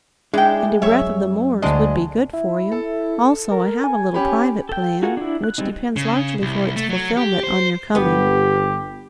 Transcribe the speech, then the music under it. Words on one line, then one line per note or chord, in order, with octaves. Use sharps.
And a breath of the moors would be good for you. Also I have a little private plan, which depends largely for its fulfilment on your coming.
G#3 D4 E4 G5
F#2 C#5 E5
D2 G#3 D4 D#5
E4
A4
A#4
G#5
C#4 G4 B5
A4 G5
F4 F#4 G#4 A#4 F#5
D4 E4
F#6
G3 G#3 C4 D#4
C#3
C2
A3
F#3
G4
C5
G1 B3 G4